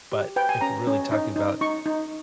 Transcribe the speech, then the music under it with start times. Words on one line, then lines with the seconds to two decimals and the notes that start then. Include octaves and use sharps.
but if you're really talking about
0.12 G4
0.36 B4 G5
0.49 G#5
0.61 C#4 A#5
0.87 C#4
1.12 D#4
1.36 D#4
1.61 D#4 C#6
1.86 D#4